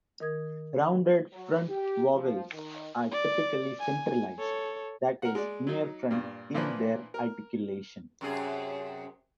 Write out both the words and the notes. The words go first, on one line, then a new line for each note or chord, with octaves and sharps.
Rounded front vowels are typically centralized, that is, near-front in their articulation.
D#3 A#4 D#6 G#6
F#3
G4
F3
D#3
D5
G#5
A4 C#5
A#4 F#5
G#3 D5
F#3 D#4
G2 A#2
A#2 E3 F3 A#3 D4 B4
A#4
F#2 C3 G#4